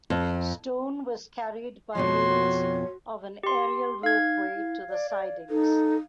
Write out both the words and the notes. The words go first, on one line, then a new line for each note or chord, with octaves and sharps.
Stone was carried by means of an aerial ropeway to the sidings.
F2
F2 B2 F3 F#4 C#5 C6
G4 C6
D#4 F5 G#6
E4
D5
D5
D#4 A4